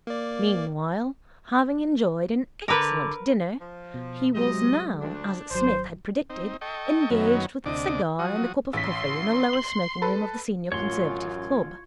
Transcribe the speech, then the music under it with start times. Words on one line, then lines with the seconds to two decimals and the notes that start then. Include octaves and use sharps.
Meanwhile, having enjoyed an excellent dinner, he was now, as Psmith had predicted, engaged with a cigar and a cup of coffee in the lower smoking-room of the Senior Conservative Club.
0.07 A#3 D5
2.68 D3 A#4 B4
3.60 F3
3.94 B2
4.35 C3 F#3 G#3 D#5
5.01 D2 D4
5.51 G#1 F#3 C5
6.30 C4 D#4
6.61 A4 D#5 G5 C#6
7.10 F#2 D#3 F#3 B3 C#4
7.66 D2 C3 D4 D#5 D6
8.19 F3 F#3 F#4 D#6
8.73 A1 C6 B6
9.53 F#7
10.02 A4 B4
10.72 A1 F#2 F4 C#5 C6